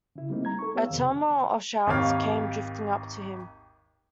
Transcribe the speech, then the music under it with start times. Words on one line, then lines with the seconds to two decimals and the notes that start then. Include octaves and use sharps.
A tumult of shouts came drifting up to him.
0.16 C#3 E4
0.30 G3 A3 A#3 C4 D#4 E4
0.45 A#5 G#6
0.59 A4 C#6
0.75 B3 G4 C#5 F5 E6
0.89 F2 C3 D#3
1.87 G#1 D#2 G4 C#5 F5